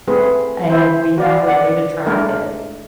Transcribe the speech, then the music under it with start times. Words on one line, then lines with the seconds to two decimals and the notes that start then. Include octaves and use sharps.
and we have a way to track it,
0.08 A3 C4 G#4 B4
0.70 E4 C5
1.18 F#4 D5 F5
1.47 D5 F#5
2.06 G#3 A3 D4 A#4